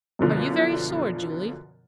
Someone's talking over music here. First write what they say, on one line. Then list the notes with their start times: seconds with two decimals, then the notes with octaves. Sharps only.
"Are you very sore, Julie?"
0.19 F#2 B2 D3 F3